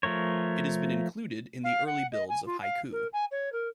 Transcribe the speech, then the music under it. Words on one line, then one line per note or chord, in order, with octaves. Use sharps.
It has been included in the early builds of Haiku.
F3 A3 A#4 C#5
F5
F#5
D#5
G#5
F4
F5
A#4
G#5
C#5
A#4